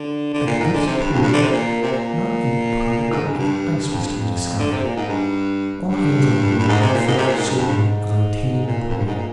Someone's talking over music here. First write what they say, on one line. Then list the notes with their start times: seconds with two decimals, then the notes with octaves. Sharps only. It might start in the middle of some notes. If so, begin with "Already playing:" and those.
At this period not a particle of ice was to be discovered. All hands on board now felt certain of attaining the pole.
Already playing: D3
0.33 D3
0.46 A#2
0.60 G#2
0.73 D3
0.86 C3
0.99 G2
1.12 F2
1.22 G2
1.33 D3
1.42 C3
1.52 A#2
1.82 C3
1.92 A#2
3.11 G#2
3.24 G2
3.33 F2
3.38 G2
3.83 G2
3.90 F2
4.04 G2
4.17 F2
4.59 D3
4.71 C3
4.83 A#2
4.96 G#2
5.09 G2
5.88 G2
6.58 G2
6.68 G#2
6.81 C3
6.94 A#2
7.08 G#2
7.18 C3
7.27 A#2
7.37 G#2
7.47 G2
7.57 F2
7.67 G2
7.77 G#2
8.66 A#2
8.89 F2
8.97 G2
9.06 G#2
9.16 A#2